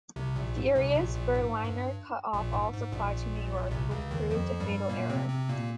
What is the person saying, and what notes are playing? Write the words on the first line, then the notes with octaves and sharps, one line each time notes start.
Furious, Berliner cut off all supply to New York, which proved a fatal error.
C2 C3
A#1 A#2
G#2
C2 C3
A#1 A#2
A#1 A#2
G#2
G2
A#1 A#2
G#2
G#2
A#1 A#2
C2 C3
C#2 C#3
D#2 D#3
F2 F3
G2 G3
A#2 A#3
C3 C4
C3 C4
A#2 A#3